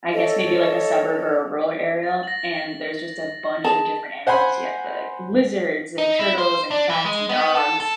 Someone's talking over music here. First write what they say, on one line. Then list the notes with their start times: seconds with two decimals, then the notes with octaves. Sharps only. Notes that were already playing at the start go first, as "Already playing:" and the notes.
I guess maybe, like, a suburb or a rural area, and there's just a bunch of different animals, you get the lizards and turtles and cats and dogs,
0.12 A4 C#5 D#5
2.03 A6
2.23 A#6 F#7
3.64 G#4 A5
4.27 C5 F#5 G#5 B5 C6
5.98 D#4
6.19 E4
6.38 C5
6.71 D4
6.90 E3
7.05 G#3
7.29 B3
7.55 A4
7.80 A4